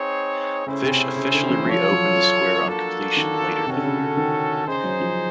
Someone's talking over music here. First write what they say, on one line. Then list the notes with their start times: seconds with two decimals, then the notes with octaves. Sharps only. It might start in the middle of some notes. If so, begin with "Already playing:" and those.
Fish officially reopened the square on completion later that year.
Already playing: C4 D#4 G#4 C#5
0.66 C#3 A3 C#4 E4 G#4 C5
0.83 C3
1.16 C#3
1.33 D3
1.50 E3
1.66 F3 F4 A4 C#5
1.91 F#3
2.16 F3
2.66 A#3 D4 F#4 A4
3.17 D#3
3.66 C3 C#4 F#4 A4
3.76 D3
3.84 C#3
4.00 D3
4.17 D#3
4.67 C#3 D#4 G#4 C5
4.84 F#3
5.00 F3